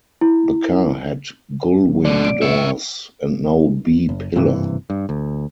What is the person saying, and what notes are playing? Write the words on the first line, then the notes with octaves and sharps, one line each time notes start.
The car had gullwing doors and no B-pillar.
E4
F2 A#2 F#3
B2 D3 D5
D7
C#5 E5
F#1
F#1 G2 C3 E3
G2
D2